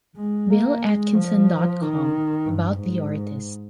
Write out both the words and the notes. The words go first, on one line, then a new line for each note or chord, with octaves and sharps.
BillAtkinson dot com About The Artist.
G#3
A#3
G#3
F3
D#3
G2
G#2